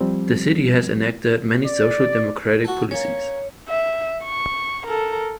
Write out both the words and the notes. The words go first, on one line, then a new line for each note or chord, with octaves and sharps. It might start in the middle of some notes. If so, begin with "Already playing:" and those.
The city has enacted many social democratic policies.
F3 G3 C4
D5
F#4 A4
A#3 C#4 C#5
E5
C#6
A4 A#4